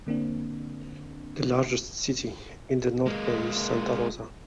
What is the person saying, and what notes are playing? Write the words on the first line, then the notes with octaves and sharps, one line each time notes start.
The largest city in the North Bay is Santa Rosa.
D3 A#3 C4 D4
G#3 A#3